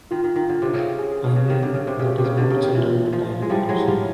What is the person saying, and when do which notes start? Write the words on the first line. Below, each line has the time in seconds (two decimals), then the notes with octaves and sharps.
I mean, that is more children than died in Hiroshima.
0.11 D#3 F4
0.24 D#3
0.36 D#3
0.49 D3
0.62 C3
0.74 C#3
0.86 G4
0.99 G#4
1.12 G#4
1.24 C#3
1.36 C#3
1.50 D#3
1.63 D3
1.74 C#3
1.87 C3
1.99 C#3 G4
2.18 C3
2.24 C#3
2.37 D3
2.50 C#3
2.63 D#3
2.75 E3 F4
3.13 F3
3.42 G#3
3.50 F3 G3 E4
3.69 F#3 G#3
3.87 F3 G3